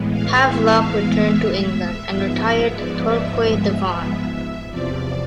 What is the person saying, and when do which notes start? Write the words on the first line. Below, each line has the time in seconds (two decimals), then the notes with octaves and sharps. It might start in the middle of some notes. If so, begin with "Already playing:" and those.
Havelock returned to England, and retired to Torquay, Devon.
Already playing: A2 E3 G#3 B3
0.11 F5
0.44 E5
0.77 F5
1.10 E5
2.08 G#2 F3 G#3 B3
2.73 D5
3.06 E5
3.39 E5
3.71 E5
4.70 E2 C3 F3 D5